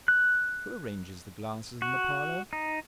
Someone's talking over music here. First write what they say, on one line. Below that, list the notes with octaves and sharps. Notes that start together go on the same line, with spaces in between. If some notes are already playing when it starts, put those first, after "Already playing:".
Who arranges the glasses in the parlor?
F#6
F#4
D#4